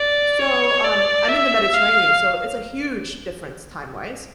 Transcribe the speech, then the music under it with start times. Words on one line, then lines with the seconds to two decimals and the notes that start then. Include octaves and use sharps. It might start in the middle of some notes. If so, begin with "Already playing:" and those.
So, um, I'm in the Mediterranean, so it's a huge difference time-wise,
Already playing: D5
0.39 C#5
0.84 D5
1.29 E5
1.74 F5